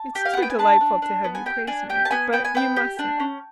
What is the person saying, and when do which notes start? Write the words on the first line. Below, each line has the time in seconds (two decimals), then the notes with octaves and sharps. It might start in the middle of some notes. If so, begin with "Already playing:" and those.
It's too delightful to have you praise me--but you mustn't.
Already playing: A5
0.15 G4
0.25 F5
0.34 F#5
0.37 B3
0.42 G5
0.50 G#5
0.59 D4 A5
0.81 D4
1.02 D4
1.24 B3
1.35 G#5
1.46 G4 G5
1.67 D4 G#5
1.90 G4 G5
2.05 A5
2.11 B3 G#5
2.33 B3 G5
2.45 G#5
2.55 B3 G5
2.76 G4
2.99 D4
3.20 C#4